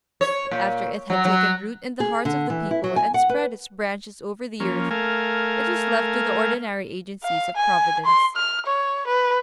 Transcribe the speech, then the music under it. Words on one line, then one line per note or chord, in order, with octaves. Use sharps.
But after it had taken root in the hearts of the people and spread its branches over the earth it was left to the ordinary agencies of Providence.
C#5
A#2
F#3
F#3
G#4
D3
E3
E4
F#3
G#5
F#5
B4
F3 A#3 C#4
A3 A#4 F5 G#5
F5
G#5
C6
F6
C#5
B4